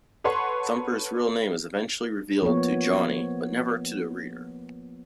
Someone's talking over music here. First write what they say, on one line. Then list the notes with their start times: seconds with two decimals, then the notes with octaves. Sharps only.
Thumper's real name is eventually revealed to Johnny, but never to the reader.
0.24 A4 B4 C#5 F#5 C6 C#6
2.43 F3 A#3 B3 C#5